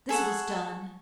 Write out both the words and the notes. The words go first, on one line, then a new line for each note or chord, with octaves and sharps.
This was done.
G#4 A4 C#5 F#5